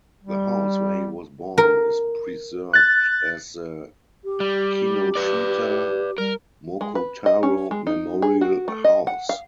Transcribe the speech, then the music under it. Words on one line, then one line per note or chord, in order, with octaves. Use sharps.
The house where he was born is preserved as the Kinoshita Mokutaro Memorial House.
G3
A#4
F#6 A6
G4
G3
B4 D5
G3 A#4
G#3
B4
D#5
C#4
G#3
D#4
G#4
F#4
A3
D#5
F#5
F5